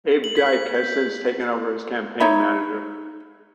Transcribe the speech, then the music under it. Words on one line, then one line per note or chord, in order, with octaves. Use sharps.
Abe Dyk has since taken over as campaign manager.
F#7
B6
G6
D#4 C#5 E5 B5